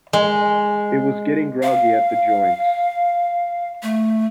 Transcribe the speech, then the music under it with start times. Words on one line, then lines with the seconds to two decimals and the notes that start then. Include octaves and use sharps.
It was getting groggy at the joints.
0.13 G#3
1.63 F5
3.83 A3